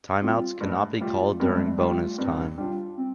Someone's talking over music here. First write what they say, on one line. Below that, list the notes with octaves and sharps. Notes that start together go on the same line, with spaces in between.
Timeouts cannot be called during bonus time.
G3 C4 F4
G2 A3
G3 A3 F4
G2 C4
A3
G3
A3
G3 A3 F4
G2 C4
G3 D4 F4
C4